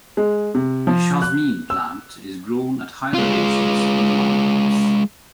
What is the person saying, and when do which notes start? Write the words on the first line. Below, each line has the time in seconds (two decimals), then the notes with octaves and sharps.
The jasmine plant is grown at high elevations in the mountains.
0.17 G#3
0.55 C3
0.87 F3
1.21 F#6
1.70 E6
3.14 G#3 F4